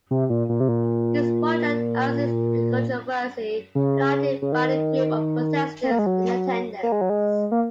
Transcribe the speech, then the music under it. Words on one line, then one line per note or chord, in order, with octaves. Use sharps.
This project has its controversy, highlighted by a group of protesters in attendance.
C3
A#2
A#2
C3
A#2
C#3
C#3
D#3
C4
A#3
G#3
F#3
A#3
G#3
F#3
G#3
A#3